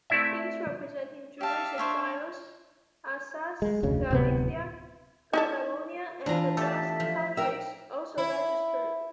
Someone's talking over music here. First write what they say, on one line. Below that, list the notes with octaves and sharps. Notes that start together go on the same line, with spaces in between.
Teams representing Jewish exiles, Alsace, Galicia, Catalonia and the Basque Country also registered.
A3 C4 E4 D5 E5
G4 E5 F5 A5
D4 C5 C#5 E5
G#3
F1 D2 C#3
D1 C3 B3
D#4 E4 A4
E2 D4 F4 A#5
A3 G4 A4 E5 A5
F3
A#4 E5 G5 E6
E4